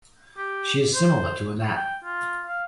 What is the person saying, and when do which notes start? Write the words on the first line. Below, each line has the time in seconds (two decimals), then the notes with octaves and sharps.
She is similar to Anat.
0.38 G4
0.94 C5
1.76 G5
2.04 F4
2.46 F5